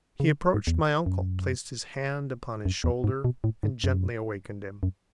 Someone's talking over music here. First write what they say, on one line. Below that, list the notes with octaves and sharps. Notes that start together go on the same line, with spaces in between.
He approached my uncle, placed his hand upon his shoulder, and gently awakened him.
C#3
D3
G#2
E2
F#2
F#2
E2
G#2
B2
A2
G#2
F#2
F#2